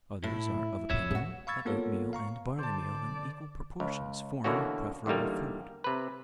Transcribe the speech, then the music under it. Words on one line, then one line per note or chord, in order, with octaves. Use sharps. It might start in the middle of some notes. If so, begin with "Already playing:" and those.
Others are of opinion that oatmeal and barleymeal in equal proportions form a preferable food.
A2 E4
F2 A#2 C#5 E5
A2 F#4 G#4
F5 B5 C#6 E6 G#6 A6
A#3 B3 F4 A4 A#4 C#5
F5 A#5 C#6
D3 C5 D5 A5
C#2
B2 D3 E3 A#3 C#4 F#4
E2 D3 D#3 G3 A#3
C3 B4